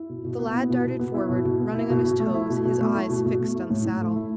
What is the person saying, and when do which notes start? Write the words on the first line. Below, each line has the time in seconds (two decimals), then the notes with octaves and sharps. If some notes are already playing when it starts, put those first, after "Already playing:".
The lad darted forward, running on his toes, his eyes fixed on the saddle.
Already playing: E4
0.09 B2
0.24 B2
0.39 B3
0.54 E4
0.70 B2
0.85 B2
1.00 B3
1.14 E4
1.29 B2
1.45 B2
1.60 B3
1.74 E4
1.90 B2
2.04 B2
2.20 A3
2.35 E4
2.50 B2
2.65 B2
2.81 A3
2.95 E4
3.10 B2
3.26 B2
3.40 A3
3.55 E4
3.70 A2
3.85 A2
4.00 A3
4.16 E4